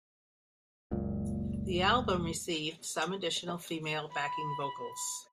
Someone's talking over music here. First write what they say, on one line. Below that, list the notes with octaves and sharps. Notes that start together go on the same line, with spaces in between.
The album received some additional female backing vocals.
F#1 C#2 A#2
B5